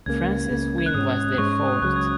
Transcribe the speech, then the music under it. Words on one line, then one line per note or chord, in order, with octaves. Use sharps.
France's win was their fourth.
C#2 C#3 A#3 G#6
C#2 C#3 A#3
G#6
F#6
G#2 G#3 C#4 D#6
G#2 G#3 C#4 C#6
C#6
D#6
C#2 C#3 F#3 F#6
G#6